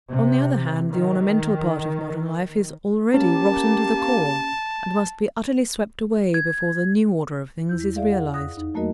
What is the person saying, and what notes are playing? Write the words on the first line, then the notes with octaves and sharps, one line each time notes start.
On the other hand, the ornamental part of modern life is already rotten to the core, and must be utterly swept away before the new order of things is realized.
C3
D#3
A#3 C#4 G4 A5
G#6
E2 E4 G6
G#4 D5 E5 F5
F#5
F2 D#6 F#6 A#6
D#4
F#3 A3 A#3 F#4 A#4 D#5